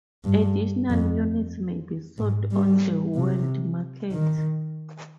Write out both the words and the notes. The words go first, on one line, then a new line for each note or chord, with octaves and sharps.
Additional units may be sold on the world market.
G2
F2
G#2
G3
C3
D#3